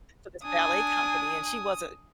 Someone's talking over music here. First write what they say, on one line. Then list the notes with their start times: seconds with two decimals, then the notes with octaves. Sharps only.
for this ballet company, and she wasn't,
0.45 D4 G#5 D#6